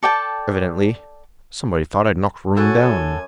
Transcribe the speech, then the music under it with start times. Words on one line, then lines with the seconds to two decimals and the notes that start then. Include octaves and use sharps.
Evidently somebody thought I'd knocked Rooum down.
0.03 A4 D5 G5 A5
2.57 F#2 F#4 A4 C#5 F#5 G#5